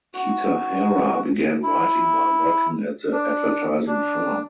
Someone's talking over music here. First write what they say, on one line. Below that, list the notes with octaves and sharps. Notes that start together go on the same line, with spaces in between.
Kitahara began writing while working at the advertising firm.
F#4
E4
D4
D4